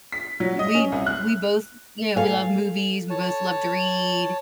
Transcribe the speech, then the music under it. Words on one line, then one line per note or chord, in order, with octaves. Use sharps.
we we both, you know, we love movies, we both love to read,
B6
F#3
D#5
C#4
C2
F#6
A4 F5 G#5
C#5 A5